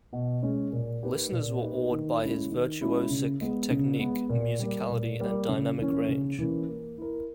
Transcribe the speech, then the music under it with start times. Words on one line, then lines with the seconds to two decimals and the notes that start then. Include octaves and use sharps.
Listeners were awed by his virtuosic technique, musicality, and dynamic range.
0.13 B2
0.43 G#3 C#4
0.72 A#2
1.02 A#3 D#4 G4 B4
1.31 A#2
1.61 A#3 D#4 G4 B4
1.91 D#3
2.22 G#3 C#4 E4
2.51 D#3
2.81 G#3 C#4 E4
3.10 C#3
3.41 G#3 B3
3.70 C#3
4.00 G#3 B3
4.29 A#2
4.59 G3 A#3
4.89 A#2
5.20 G3 A#3
5.49 C#3
5.79 E3 A#3 C#4
6.08 C#3
6.39 E3 A#3 C#4
6.68 A#3
6.98 E4 A#4